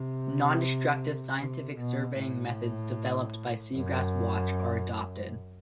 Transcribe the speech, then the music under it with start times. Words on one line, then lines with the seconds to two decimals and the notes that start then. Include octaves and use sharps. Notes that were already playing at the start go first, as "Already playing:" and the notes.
Non-destructive scientific surveying methods developed by Seagrass-Watch are adopted.
Already playing: C3
1.39 C3
1.79 B2
2.19 A2
3.76 F#2